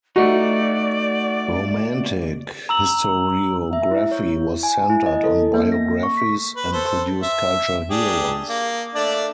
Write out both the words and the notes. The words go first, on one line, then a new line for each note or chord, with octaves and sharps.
Romantic historiography was centered on biographies and produced culture heroes.
A3 D#4 F#4 D5
A#5 E6 F#7
E5
E4
C#5
G#5
E4
D#5
A4
A#3
A#6
C#6
B6
B4
A4 C5
E5
D4 G4 G#4
A#3
A3 D4 D5